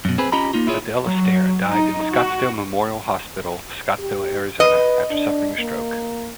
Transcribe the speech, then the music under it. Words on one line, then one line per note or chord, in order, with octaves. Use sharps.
Adele Astaire died in Scottsdale Memorial Hospital, Scottsdale, Arizona, after suffering a stroke.
F#2 B2
C4 G#4 B4
C#4 F4 G4 D#5 A#5 B5
A#3 D#4 F4
E4 F4 G#4 C#5
F#3
D#4
F#4
G4
B4 D#5
D4
A#3